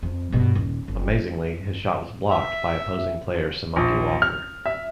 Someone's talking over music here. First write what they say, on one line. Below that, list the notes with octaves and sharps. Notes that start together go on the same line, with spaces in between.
Amazingly, his shot was blocked by opposing player Samaki Walker.
F2
G2 B2
D#1
F#1
E5
A#1
F6
E5